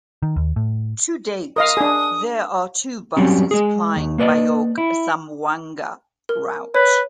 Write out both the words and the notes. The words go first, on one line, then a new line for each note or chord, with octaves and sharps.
To date, there are two buses plying Bayog-Zamboanga Route.
D#3
D#2
A2
A#4 D#5 F5 D#6
D4 G#4
F#3 G3 C4 C#4
G#3 G#4
D#2
A#3 B4 D5 D#5
E4
A#4
B4 C#5